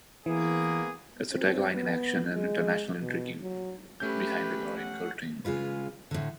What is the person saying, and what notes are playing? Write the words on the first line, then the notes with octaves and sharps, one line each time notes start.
Its tagline is Action and international intrigue behind the iron curtain.
E3 A#3 B3 G#4
C4
B3
G#3
B2
F#3
A3 C#4 G4 B4 G6
F#5
C#3 G#3 F4 B4
A2 D3